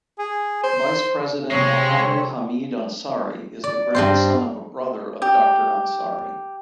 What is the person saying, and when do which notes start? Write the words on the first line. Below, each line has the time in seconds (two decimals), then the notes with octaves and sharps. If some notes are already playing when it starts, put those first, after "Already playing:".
Vice President Mohammad Hamid Ansari is the grandson of a brother of Doctor Ansari.
0.19 G#4
0.63 C5
1.50 C3 G#3 C4 C#5
3.64 D5
3.95 G2 C4 C5
5.22 G4